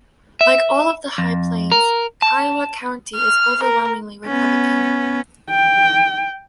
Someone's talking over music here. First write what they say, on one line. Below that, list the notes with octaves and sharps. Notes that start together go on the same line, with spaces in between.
Like all of the High Plains, Kiowa County is overwhelmingly Republican.
E5
F2
A#4
A5
F6
A#4
B3 C#4
G5